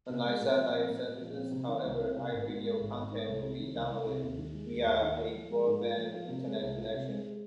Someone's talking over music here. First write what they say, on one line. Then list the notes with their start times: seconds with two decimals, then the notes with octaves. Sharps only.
Unlike satellite services, however, iRadio content will be downloaded via a broadband internet connection.
0.10 C3
0.25 G#3
0.41 A#2
0.57 F3
0.72 C4
0.88 A#2
1.05 A#2
1.21 F3
1.36 C4
1.52 C3
1.68 D#3
1.85 C2
2.00 C4
2.16 C3
2.32 G#1
2.48 G#2
2.63 G#3
2.79 G#1
2.95 G#1
3.11 G#2
3.27 C2
3.43 C3
3.59 D#3
3.75 C2
3.91 C2
4.07 C3
4.23 D#2
4.38 D#3
4.54 G#3
4.70 D#2
4.86 D#2
5.02 D#3
5.18 F4
5.34 F3
5.50 G#3
5.66 G#2
5.81 F4
5.97 F3
6.13 F4
6.29 C3
6.45 G#3
6.61 C2
6.77 F4
6.93 C3
7.09 G#3